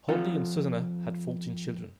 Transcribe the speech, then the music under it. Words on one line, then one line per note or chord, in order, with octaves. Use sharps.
Hoadley and Susannah had fourteen children.
F2 F3 C4 F4 A4 F#5